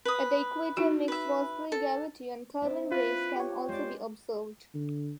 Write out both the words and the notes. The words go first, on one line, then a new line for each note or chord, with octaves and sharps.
At the equator, mixed Rossby-gravity and Kelvin waves can also be observed.
B4 D#6
D#4 F#4
B4 E5
A4
C4 D4 E4
F4 B4 F#6
G4 C#5
G#3 C5 D5
D3